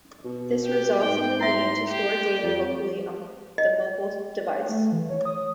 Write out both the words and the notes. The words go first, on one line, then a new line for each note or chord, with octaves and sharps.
This results in the need to store data locally on the mobile device.
B2
G4
G#2 G5
E4 E5 C6
G4
F2
D#5
A3
E3
C#5
D#6